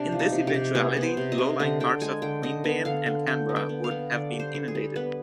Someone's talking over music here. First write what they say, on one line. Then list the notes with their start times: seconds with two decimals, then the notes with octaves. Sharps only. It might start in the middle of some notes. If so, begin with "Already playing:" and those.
In this eventuality low lying parts of Queanbeyan and Canberra would have been inundated.
Already playing: C3 D4
0.12 F3
0.19 D#4
0.32 C3
0.47 G4
0.54 C3
0.75 B3 G#4
0.97 B3
1.03 C5
1.17 C3
1.32 D#5
1.38 C3
1.59 D3 D#5
1.80 D3 G5
2.01 G#3 G#5
2.22 D3 G5
2.43 D3 D#5
2.64 B3
2.85 D3 F5
3.06 D3
3.27 D3 G5
3.49 B3
3.56 G5
3.69 B3
3.84 F5
3.91 B3
4.12 D3 D5
4.33 G3
4.39 C5
4.54 D3
4.68 G#4
4.75 G3
4.96 B3 B4